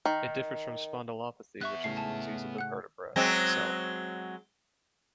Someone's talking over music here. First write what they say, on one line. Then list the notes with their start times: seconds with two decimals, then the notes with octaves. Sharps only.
It differs from spondylopathy, which is a disease of the vertebra itself.
0.05 D#3
1.61 B3 E5 C#6 F#6
1.84 A2 C#3 C7
1.97 G#5 A5
2.58 F#5 F#6
3.16 F#3 G#3 C4